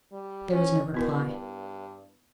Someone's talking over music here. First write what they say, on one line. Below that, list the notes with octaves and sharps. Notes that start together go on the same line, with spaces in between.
There was no reply.
G3
C#4
B2 B3 E4 A#4
G2